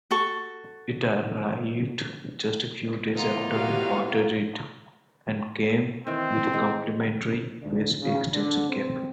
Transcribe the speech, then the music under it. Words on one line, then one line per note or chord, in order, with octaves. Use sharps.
It arrived just a few days after I ordered it, and came with a complementary USB extension cable.
F#4 A4 C#6
A2 A#3 B3 D#4 F4
F#4 G4 F5
D#3 E3 C4
G#3
D2
C#3
D3
C4